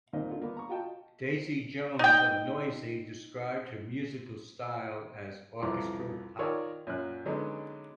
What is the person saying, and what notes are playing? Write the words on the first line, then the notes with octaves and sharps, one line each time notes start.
Daisy Jones of Noisey described her musical style as orchestral pop.
D#2 A#2 D#3 C4 A#4 D#5
D3 F4
A#3 B3
A#5 C#6
F4 F#4 D#5 G5 A5
D#4 G5
C2 F2 E3 A#5 D6
D#3 D#4 F4 A#4 C#5 D5
F#2 A#2 C#4 F#6
D3 F#3 G#3 B3 C#4 D#4